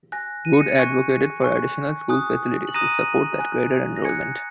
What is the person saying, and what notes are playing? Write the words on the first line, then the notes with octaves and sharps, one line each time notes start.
Wood advocated for additional school facilities to support that greater enrollment.
G#5 F#6 A#6
D#7
C#7
A#6
G#6 C#7
G#5 C#6 F#6
G#5 C#6 F#6
G#5 D#6 F#6
F#7
A#5 D#6 F#6 A#6 D#7
G#5 F#6
A#6
G#5 F#6 G#6 C#7